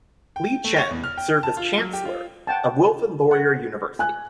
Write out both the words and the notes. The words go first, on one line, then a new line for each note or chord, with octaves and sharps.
Lee-Chin served as chancellor of Wilfrid Laurier University.
G5
A3
C#5
E2
F6
G5
A5
F4
F#3
G4
F4
F#5 G5 A5
F#5
G#5 F#6